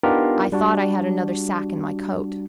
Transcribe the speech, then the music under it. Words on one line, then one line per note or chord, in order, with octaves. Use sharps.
I thought I had another sack in my coat.
B3 D4 D#4 F4 G4 A#4
G3 D4 F#4